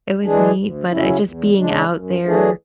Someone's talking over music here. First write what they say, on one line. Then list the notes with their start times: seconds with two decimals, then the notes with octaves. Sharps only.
It was neat. But I just being out there,
0.25 E3 G#3 D4 G#4
0.57 D2
0.91 C#3 F#3 C#4 E4
1.23 E2
1.57 C#3 G#3 D4
1.90 F#2
2.24 E3 A3 D4 G#4